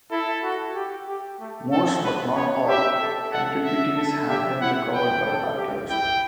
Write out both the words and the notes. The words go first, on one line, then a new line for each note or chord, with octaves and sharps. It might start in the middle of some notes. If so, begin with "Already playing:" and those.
Most, but not all, antiquities have been recovered by archaeology.
E4 A4
F#4
G4
G4
A3
A3 A4
B3 B4
B3 C#5
G4 E5
A4
A4 F#5
E5
A4
G4 E5
E4 F#5
B4 G5
A4
G4
E4 G5